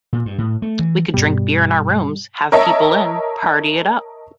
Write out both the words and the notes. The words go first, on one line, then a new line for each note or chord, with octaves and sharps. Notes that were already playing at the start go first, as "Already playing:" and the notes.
We could drink beer in our rooms, have people in, party it up.
A#2
G2
A2
A3
E3
G2 B2 G3
A#4 C#5 D#5 E5 A5